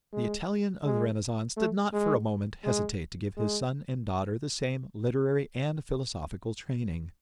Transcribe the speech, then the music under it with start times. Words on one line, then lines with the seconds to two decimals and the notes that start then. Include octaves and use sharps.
The Italian of the Renaissance did not for a moment hesitate to give his son and daughter the same literary and philosophical training.
0.13 G#3
0.85 G#3
1.57 A3
1.93 G#3
2.64 G#3
3.37 G#3